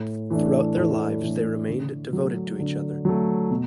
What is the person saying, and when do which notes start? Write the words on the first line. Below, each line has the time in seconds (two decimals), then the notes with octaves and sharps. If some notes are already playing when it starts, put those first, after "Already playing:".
Throughout their lives, they remained devoted to each other.
Already playing: A2
0.30 E3 A3 D4
0.77 A2
1.21 E3 A3 D4
1.68 D3
2.13 F#3 A3
2.59 D3
3.05 F#3 A3
3.51 B2